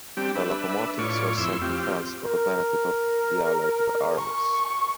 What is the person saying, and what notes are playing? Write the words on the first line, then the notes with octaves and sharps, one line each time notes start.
The locomotives were sent to France for the benefit of the Allied armies.
G3 C4 D4 G4
D4 B4 E5
A2 F4 C#5 D5 C#6
F2 E4 C6 E6
C4 F4 G4
A#4
C#6